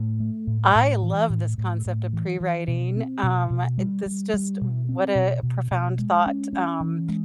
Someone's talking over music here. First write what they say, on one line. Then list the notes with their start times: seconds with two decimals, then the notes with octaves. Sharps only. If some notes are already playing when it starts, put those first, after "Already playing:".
I love this concept of prewriting. Um, uh, this just what a profound thought, um,
Already playing: A2
0.20 A3
0.47 A2
0.75 A2
1.03 E3
1.30 A2
1.58 A2
1.86 A2
2.13 E3
2.40 E3
2.68 B2
2.96 C4
3.23 B2
3.50 B2
3.78 G3
4.06 G3
4.34 G3
4.61 B2
4.89 C4
5.15 B2
5.43 B2
5.71 B2
5.98 G#3
6.26 C#4
6.53 C#4
6.81 E3
7.09 G#3